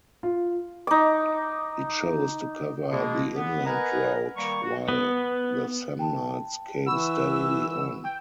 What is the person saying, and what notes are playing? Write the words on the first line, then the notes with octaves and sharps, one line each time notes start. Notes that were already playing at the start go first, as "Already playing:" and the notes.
He chose to cover the inland route while the Samnites came steadily on.
F4
D#4 D6
B2 G#3 A#3 G#4
B3
A#4 B4 D#5 F#5 G#5 A#5
D#3 G3 A#3 A#5 C#6
F#4
B3
G5 A5
E3 F#5 B5 C#6 E6
G5